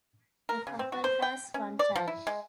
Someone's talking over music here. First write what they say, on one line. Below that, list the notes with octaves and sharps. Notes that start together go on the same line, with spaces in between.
The couple has one child.
A#4
C#3
C4
F#4
C5
G5
C#4
D5
F3
E4
G#3